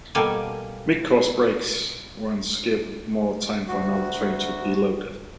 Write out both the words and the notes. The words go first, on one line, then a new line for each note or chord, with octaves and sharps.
Mid-course brake runs give more time for another train to be loaded.
B2 G3 A#3 A4 F5 G#5
D2 F#4